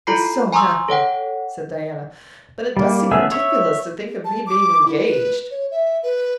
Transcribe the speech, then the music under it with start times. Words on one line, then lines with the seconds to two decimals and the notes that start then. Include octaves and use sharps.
"I'm so happy," said Diana, "but it does seem ridiculous to think of me being engaged."
0.07 E4 F4 A4 A#5 B5 C7
0.52 G#5 A#5 C6 C#6 D#6 E6
0.88 A4 C#5 F#5 G5
2.77 G3 A#3
3.11 A3 B3 C#4 G#4 E5
3.32 C#5 E5
4.25 A5
4.47 D6
4.86 E4
5.08 B4
5.51 C#5
5.71 E5
6.03 B4